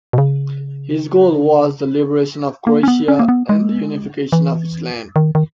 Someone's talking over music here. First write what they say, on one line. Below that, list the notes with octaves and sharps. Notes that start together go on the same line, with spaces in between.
His goal was the liberation of Croatia and the unification of its lands.
B2
C#3
A#3
C#4
B3
C#4
A#3
B3
G#3
E3
D#3
D#3